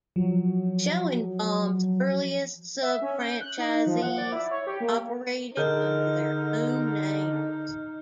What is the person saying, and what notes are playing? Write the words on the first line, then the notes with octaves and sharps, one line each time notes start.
Schoenbaum's earliest subfranchisees operated under their own names.
F3 F#3
E5
C#4
G6
F#6
D#4
F3
F#5
D5
E4
C#5
G4
A#3
D3 D#4 G#4 A#4 D#5 F6 G6